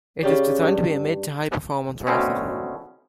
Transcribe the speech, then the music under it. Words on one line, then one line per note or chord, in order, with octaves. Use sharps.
It is designed to be a mid to high performance racer.
C#3 G4 D5
G2
D2 B2 C4 C#4